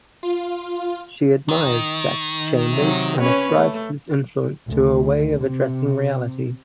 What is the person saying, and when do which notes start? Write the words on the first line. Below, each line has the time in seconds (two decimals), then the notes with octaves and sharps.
She admires Jack Chambers and ascribes his influence to her way of addressing reality.
0.23 F4
1.49 D#3
2.71 C3 F#3
3.20 C#4 B4 C#5
3.53 A3
4.67 D2
5.39 C3